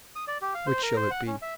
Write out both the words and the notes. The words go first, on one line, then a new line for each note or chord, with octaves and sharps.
Which shall it be?
D#6
D5
G4
F5
C5
A#4
C5
F#5
C#4
E5